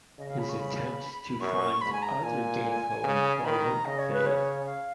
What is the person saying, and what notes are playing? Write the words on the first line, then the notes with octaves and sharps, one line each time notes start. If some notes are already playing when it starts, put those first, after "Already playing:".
His attempts to find other gainful employment fail.
C#3 D#5
F5
B5
C#6
B5
F#2 C#6
G#2 B5
G#5
A#5
A#2 G#5
C#3
D#3 B5
A#5
C#3 D#5
C#5
B4
C#5
F5